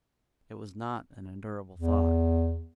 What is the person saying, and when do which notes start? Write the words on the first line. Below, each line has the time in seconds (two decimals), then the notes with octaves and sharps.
It was not an endurable thought.
1.75 E2